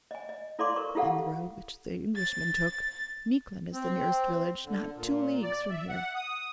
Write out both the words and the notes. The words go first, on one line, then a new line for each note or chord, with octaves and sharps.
"On the road which the Englishman took, Miquelon is the nearest village, not two leagues from here."
D#5 G#5
D#5
E4 A4 D5 F5 C6 D6
F#4 A#4 B4 C#6
E4 F4 G4 A4 F5 F#5
A6
C4
D3
A#2
D5
E5
F#5
D#6